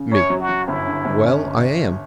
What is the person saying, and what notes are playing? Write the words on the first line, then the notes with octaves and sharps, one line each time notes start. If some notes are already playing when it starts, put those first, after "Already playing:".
ME: Well, I am.
Already playing: C#3
F#2 C#5
F#3
F#4
F#3
G1 E4
D3
G1
C#4